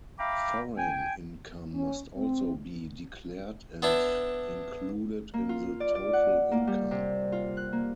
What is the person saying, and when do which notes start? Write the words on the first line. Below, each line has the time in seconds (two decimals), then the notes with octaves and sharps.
Foreign income must also be declared and included in the total income.
0.19 E5 F5 G5 A#5 B5 D6
0.77 G5 G#5
1.74 C#4
2.17 C4
3.82 B3 D4 E4
5.34 A#3
5.49 F4
5.80 D5
5.95 D5
6.13 F#5
6.52 A#3
6.67 G3
6.91 C3
7.32 F4
7.57 F#6
7.73 A#3